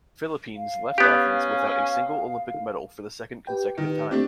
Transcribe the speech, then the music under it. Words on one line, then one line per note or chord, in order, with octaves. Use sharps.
Philippines left Athens without a single Olympic medal for the second consecutive time.
F5
B3 C#4 G4
G4 B4 G5
D#3
A3 C4 D4 G4